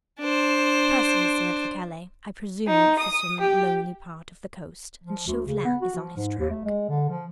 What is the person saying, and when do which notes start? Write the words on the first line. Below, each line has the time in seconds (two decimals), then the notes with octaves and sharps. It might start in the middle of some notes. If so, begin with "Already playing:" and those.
Percy has sailed for Calais, I presume for some lonely part of the coast, and Chauvelin is on his track.
0.20 D4 C5
2.65 D#4
2.97 D#6
3.39 G4
5.04 F3
5.27 D2
5.46 C#3
5.65 B3
5.82 F#4
5.95 F3
6.16 G#2
6.39 D#2
6.51 A3
6.65 G#3
6.90 D3
7.10 F3